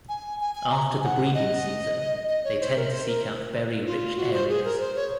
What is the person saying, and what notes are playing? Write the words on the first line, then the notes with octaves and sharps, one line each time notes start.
After the breeding season, they tend to seek out berry-rich areas.
G#5
G#5
G#5
A#5
G#5
F#5
D#5
D#5
C#5
C5
A#4
C5
A#4
F4
F#4
C5
G#4
A#4
C5
C#5